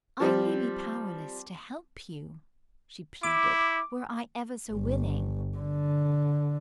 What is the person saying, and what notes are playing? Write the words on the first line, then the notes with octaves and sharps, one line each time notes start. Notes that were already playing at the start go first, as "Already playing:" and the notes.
"I may be powerless to help you," she pleaded, "were I ever so willing."
F3 G3 C4
E4 D6
G1
D3